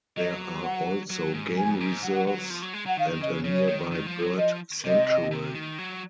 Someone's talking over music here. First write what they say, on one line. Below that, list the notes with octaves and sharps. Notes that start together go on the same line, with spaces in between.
There are also game reserves and a nearby bird sanctuary.
F#3 D#5
F#5
F#3
G#2
F2 G#5
G#2
F#3 F#5
F#3
F3
F#3
G#3
F#3 F#5
D#3 F5
C#3 D#5
C#3 C#5
D#3
D#3
F3
F#3
F3 D#5
C3 D#5
C3
D#3
F#3